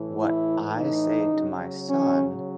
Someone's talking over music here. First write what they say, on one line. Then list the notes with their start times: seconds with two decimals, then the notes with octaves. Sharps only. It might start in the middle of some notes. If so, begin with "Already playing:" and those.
What I say to my son
Already playing: A2 E3
0.18 E4
0.74 D#4
1.30 C#3 F#3
1.86 C#4